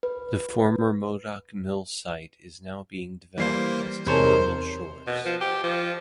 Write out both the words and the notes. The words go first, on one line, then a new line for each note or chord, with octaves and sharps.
The former Modoc mill site is now being developed as Timbermill Shores.
B4
E3 G3 A#3 C5 C7
E2 C3 D#4 G#4 A#4 C5 C#5 A5
B2
F3
G4
F3